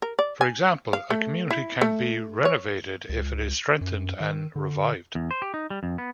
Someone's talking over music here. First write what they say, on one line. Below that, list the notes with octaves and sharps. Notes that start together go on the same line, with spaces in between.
For example, a community can be renovated if it is strengthened and revived.
A#4
D5
G#5
F5
A3
E4
A3
C#5
C#2
F#2
D#3
D3
E2
C5
G4
D#4
G3
F2
B3